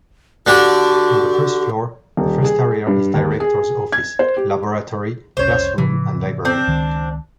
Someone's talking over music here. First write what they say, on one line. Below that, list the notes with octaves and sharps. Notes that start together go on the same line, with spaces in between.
On the first floor, the first area is director’s office, laboratory, classroom and library.
D3 D4 F#4 G4
D#1
G#4
G2
D#2
G#4
G#6
C5
G4
C2 F2 C#4 C5 C#5
A2 C#3 E3 F3
C4 D4
C#2 D#3